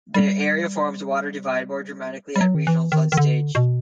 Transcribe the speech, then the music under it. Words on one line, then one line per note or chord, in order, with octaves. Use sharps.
The area forms a water divide, more dramatically at regional flood stage.
G3
G3
F#3
D#3
E3
D#3
D#3
D3
B2